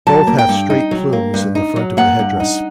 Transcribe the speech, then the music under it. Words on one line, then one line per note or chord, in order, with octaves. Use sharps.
Both have straight plumes in the front of the headdress.
F#3 A5
A#3
G5
G2
D#4
F#3
A#3
G2
D#4
F#3
A#3 F#5
G2
D#4